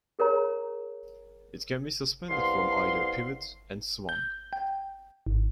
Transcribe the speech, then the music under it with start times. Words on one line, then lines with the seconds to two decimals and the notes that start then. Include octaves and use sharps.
It can be suspended from either pivot and swung.
0.19 G#4 A#4 C#5 A#5
2.30 C2 B3 F5 C6
4.09 G6
4.53 G5
5.27 G#1